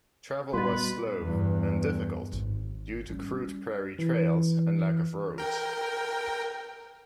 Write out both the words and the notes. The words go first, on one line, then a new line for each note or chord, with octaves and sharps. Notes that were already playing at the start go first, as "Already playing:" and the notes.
Travel was slow and difficult due to crude prairie trails and lack of roads.
A#2 G3 B3 F#4 B4 D#5
E2 G2
G#1
G3 C#4
E3
A#4 G5